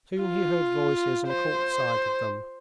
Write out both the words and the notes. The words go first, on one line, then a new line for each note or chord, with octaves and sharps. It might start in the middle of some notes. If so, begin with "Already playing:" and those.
Soon he heard voices and caught sight of them.
F4
C5